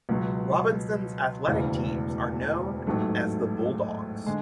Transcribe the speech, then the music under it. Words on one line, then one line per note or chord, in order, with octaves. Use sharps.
Robinson's athletic teams are known as the "Bulldogs".
C#2 B2 F#3
E1 D2 C#3 E3
A1 G#2 F#3 A3
D3 G#3